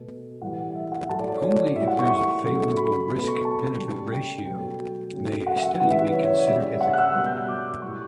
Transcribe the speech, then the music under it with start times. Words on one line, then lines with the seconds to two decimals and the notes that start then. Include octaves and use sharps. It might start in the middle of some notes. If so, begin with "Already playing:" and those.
Only if there is a favorable risk-benefit ratio may a study be considered ethical.
Already playing: B2 A3
0.41 A2 E3 G3 F#5
0.75 E5
0.92 F#5
1.09 A2 F#3 A3 A5
1.19 D5
1.31 C#5
1.42 C#5
1.54 D5
1.65 C#5
1.76 A2 G3 E5
1.87 F#5
1.99 C#6
2.10 C#6
2.44 C#3 F#3 A3
2.77 B5
3.10 B2 A3
3.28 C#6
3.45 A5
3.78 C#3 G3
4.12 G5
4.45 B2 F#3 A3 G5
5.13 C#3 F#3 A3
5.47 F#5
5.58 E5
5.63 F#5
5.80 C#3 E3 G3 F#5
5.91 E5
6.02 B4
6.13 C#5
6.25 C#5
6.36 D5
6.47 C#3 G3 E5
6.81 F#5
6.93 F#6
6.98 E6
7.14 B2 G3 E6
7.26 G6
7.37 F#6
7.48 D6
7.82 G3 C#6
7.85 A2